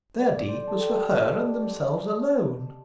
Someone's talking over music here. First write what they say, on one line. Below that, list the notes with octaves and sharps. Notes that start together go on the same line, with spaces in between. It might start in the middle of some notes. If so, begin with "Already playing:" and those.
Their deed was for her and themselves alone.
D5
D5
C5
D5
A4
G4
A4
D#5
D5
D5